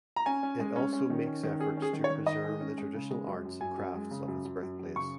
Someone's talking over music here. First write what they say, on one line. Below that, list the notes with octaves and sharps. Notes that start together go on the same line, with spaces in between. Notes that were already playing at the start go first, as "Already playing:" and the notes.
It also makes efforts to preserve the traditional arts and crafts of its birthplace.
A#5
C#4 G#5
C#4
G#3
C#4
C#4
D#3
C#4
D#3
C#4 G#4
C#4 G#4
D#3
C#5
D#3
D#3 D#5
G#3
C#4
G#3
C#3
G#3
F#2
F#2
F#2 G#5
F#2
G#3
C#3
F#2
F#2
F#2
F#2
C#3 C#6